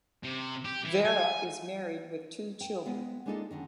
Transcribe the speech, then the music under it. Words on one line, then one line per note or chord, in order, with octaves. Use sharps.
Vara is married with two children.
C3
G4
E3
G#5
G5
G#3 B3 F5 G5
G#3 A#3 D4 D#4 F4 A4
F#2 B2 D3 D#3